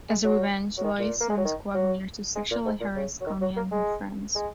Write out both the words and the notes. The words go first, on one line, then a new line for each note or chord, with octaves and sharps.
As revenge, Lois sends Quagmire to sexually harass Connie and her friends.
G#3
F#3
F#3
D#3
A#2
A#3
G#3
F#3
D#3
F#3
G#3
A#2
G#2
A#2
C#3
F#3
D#3
F#3
A#3
G#3
G#3